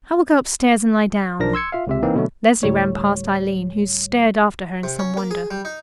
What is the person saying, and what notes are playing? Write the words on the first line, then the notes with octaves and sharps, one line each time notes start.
"I will go upstairs and lie down." Leslie ran past Eileen, who stared after her in some wonder.
B1 F3 D4 A#4 A#6
C6 E6 G#6 C#7
F4 E5 F5
C#2 C3 E5
E3 A#3 C4 D#4
B2 D3 F#3 A3
D2 A2 G3 C#5
C3
C#4
A#3
G#4
G3
D#4